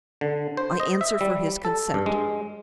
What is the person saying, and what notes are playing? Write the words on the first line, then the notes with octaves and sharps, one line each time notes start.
"I answer for his consent."
D3
C5
D#5
E5
G3
A4
G2
G#3